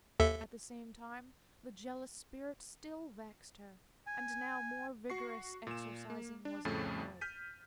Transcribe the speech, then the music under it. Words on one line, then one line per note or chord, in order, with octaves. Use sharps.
At the same time, the jealous spirit still vexed her, and now more vigorous exorcising was employed.
D#2 A4 E5
G#5
F#4 C#6 C7
A#2 E7
A#3
D4
F2 A2 C#3 A3 C#4 A6
F6 G6 B6 D#7